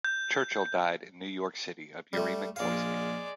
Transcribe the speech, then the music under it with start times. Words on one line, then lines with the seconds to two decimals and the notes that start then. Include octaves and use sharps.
Churchill died in New York City, of uremic poisoning.
0.05 G6
2.13 G3 A3
2.56 A#1 G#3 D5 F5